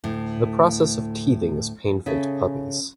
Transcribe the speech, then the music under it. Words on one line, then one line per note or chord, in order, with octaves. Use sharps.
The process of teething is painful to puppies.
D2 A2
C#3 G#4 A4 E5